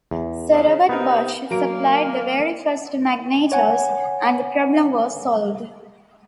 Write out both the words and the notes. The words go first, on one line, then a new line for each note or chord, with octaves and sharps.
Sir Robert Bosch supplied the very first magnetos and the problem was solved.
E2
C#3
C3 B3 D#4 A#4
F#3 A#3 A#5 D7
C#5 F#5 G#5